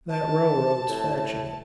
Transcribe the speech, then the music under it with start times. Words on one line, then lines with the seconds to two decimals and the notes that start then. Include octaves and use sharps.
That railroad's fetching it.
0.10 A5
0.89 A2